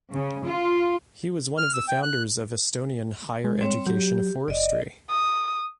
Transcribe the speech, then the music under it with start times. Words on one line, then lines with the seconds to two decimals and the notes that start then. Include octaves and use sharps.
He was one of the founders of Estonian higher education of forestry.
0.13 C#3
0.46 F4
1.58 F6
1.74 E6
1.88 G5
2.03 F#6
3.44 G#3
3.61 G3 C4 C#5
3.87 F#3 G4
4.48 F#1 D5 D#5
5.10 D#6